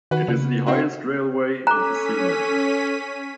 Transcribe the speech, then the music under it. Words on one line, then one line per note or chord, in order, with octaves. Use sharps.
It is the highest railway in Ticino.
D#3 F#4 B4
C#3
C4 E4 F#4
C#4 A4 A#5 D6 F#6 B6 D#7